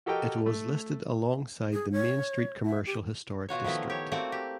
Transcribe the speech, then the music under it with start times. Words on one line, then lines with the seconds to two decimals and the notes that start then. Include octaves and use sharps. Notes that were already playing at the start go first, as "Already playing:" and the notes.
It was listed alongside the Main Street Commercial Historic District.
0.06 F#4 G4 A4 A#4 D#5 G5
0.46 A3
1.73 G#4
1.92 C#5
2.66 E5
2.86 G4
3.49 B2 F4 F#4 C#5
3.64 D#3 F3 A3 B3 E4
3.90 G4 C#5
4.12 A3 A#3 C4 F#4 D5 F#5
4.32 G4